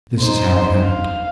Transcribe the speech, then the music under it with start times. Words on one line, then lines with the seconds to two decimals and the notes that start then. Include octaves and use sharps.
This is how it happened.
0.20 D#4 C5
0.83 F5